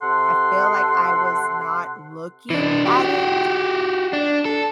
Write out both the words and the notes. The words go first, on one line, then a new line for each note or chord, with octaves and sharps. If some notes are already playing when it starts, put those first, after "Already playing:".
I feel like I was not looking at it
C3 A4 F#5 C6
E3 D4
F#4 G4
D4
A4